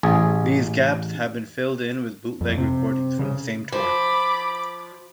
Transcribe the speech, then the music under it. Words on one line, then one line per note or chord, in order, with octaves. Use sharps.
These gaps have been filled in with bootleg recordings from the same tour.
A1 G#4
F2
C3
C#3
F3 B5 D6